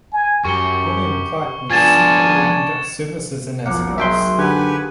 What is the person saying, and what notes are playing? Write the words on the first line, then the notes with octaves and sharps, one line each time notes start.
William Clark would secretly conduct services in his house.
G#5
F#2 G4 C#6 C#7 G7
F3 B3 D4 G#5 G#6 A6 E7
F#1 B1 F3 A#3 F#5
D#3 F#3 G#3 E5 G5 C6
D3 G4 B4 F#5 G#5